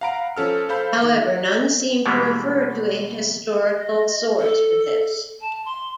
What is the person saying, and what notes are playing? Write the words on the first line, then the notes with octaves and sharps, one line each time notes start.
However, none seem to refer to a historical source for this.
F5 F#5 A#5 B5 D7
F3 C#4 A4 F6
A4 C5 F5 B5 G6
D#3
B2 E3 G3 G#3 A#3 B3
D#5
A4
A5
C6